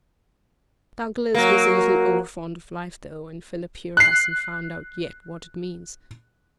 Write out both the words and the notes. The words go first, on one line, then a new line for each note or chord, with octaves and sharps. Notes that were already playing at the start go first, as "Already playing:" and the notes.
Douglas was a little overfond of life, though, and Philip here hasn't found out yet what it means.
F#3 A#3
F#6 C7